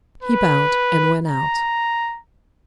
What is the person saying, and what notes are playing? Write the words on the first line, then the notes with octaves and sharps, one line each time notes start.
He bowed and went out.
B4
A#5